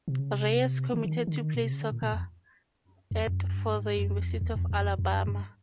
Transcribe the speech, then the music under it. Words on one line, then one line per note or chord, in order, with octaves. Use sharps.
Reyes committed to play soccer at for the University of Alabama.
C3
C#3
C3
D#3
D#3
E3
D#3
D3
D#3
B2
C3
C#3
D3
A#2
A#2
F2
F2
F2
F#2
G2
G#2
F#2
F2
E2
F2
E2
F#2
F2
F2
F#2
G2